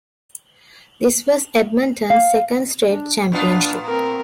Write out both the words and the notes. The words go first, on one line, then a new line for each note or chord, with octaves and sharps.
This was Edmonton's second-straight championship.
F5
D4
A2 B3 D4 F4
C4 A#4